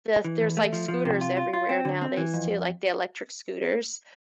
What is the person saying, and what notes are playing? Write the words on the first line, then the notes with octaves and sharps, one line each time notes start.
The there's, like, scooters everywhere nowadays too, like, the electric scooters.
E3
E2
A3
F3
F3
C3
F4
F4
F4
C4
D3
C4
E3
F2